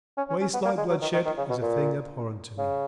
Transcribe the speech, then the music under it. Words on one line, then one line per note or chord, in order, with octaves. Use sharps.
Waste, like bloodshed, is a thing abhorrent to me.
C#4
C#4
C#4
B3
A#3
G#3
F#3
D#3
D#3
D#3
C#3
B2
A#2
C#3